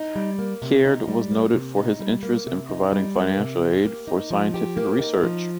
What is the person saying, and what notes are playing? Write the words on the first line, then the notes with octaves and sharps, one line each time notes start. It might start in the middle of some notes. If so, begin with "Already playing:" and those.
Caird was noted for his interest in providing financial aid for scientific research.
Already playing: D#4
G3
A#3
C3
D#4
G3
A#3
C3
D#4
G3
A#3
C3
D#4
G3
A#3
C3
G4
A#3
D#4
F3
G4
A#3
D#4
F3